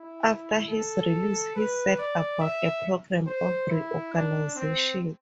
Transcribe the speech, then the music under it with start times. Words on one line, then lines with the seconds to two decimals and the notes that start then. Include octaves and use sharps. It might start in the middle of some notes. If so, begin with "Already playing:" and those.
After his release, he set about a programme of reorganisation.
Already playing: E4
0.68 A4
1.55 B4
1.98 D5
2.40 E5
3.27 C5
3.69 E4
4.13 D4
4.56 C4